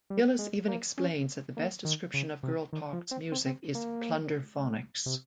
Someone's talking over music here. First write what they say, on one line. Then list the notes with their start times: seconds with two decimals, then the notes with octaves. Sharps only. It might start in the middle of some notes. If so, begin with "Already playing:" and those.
Gillis even explains that the best description of Girl Talk's music is Plunderphonics.
0.10 G3
0.39 G#3
0.68 A#3
0.98 C#4
1.57 A#3
1.85 D#3
2.14 C#3
2.43 C3
2.73 D#3
2.93 F3
3.11 C4
3.32 C4
3.46 C4
3.75 A#3
5.06 C3